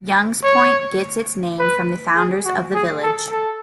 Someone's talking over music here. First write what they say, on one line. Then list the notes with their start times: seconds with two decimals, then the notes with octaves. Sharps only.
Young's Point gets its name from the founders of the village.
0.43 C#5
1.59 B4
2.16 G#4
2.45 F#4
2.74 G#4
3.03 A4
3.31 A4